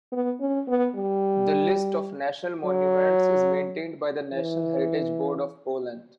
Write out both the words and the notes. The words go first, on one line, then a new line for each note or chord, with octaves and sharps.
The list of national monuments is maintained by the National Heritage Board of Poland.
B3
C#4
B3
G3
F#3
E3